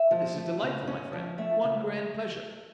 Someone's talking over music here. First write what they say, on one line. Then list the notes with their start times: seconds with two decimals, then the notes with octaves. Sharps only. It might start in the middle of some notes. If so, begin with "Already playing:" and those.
But this is delightful, my friend--one grand pleasure!
Already playing: E5
0.11 F3
0.36 A3
0.62 C#3
0.88 C#4
1.13 F3
1.38 A3 E5
1.64 C#3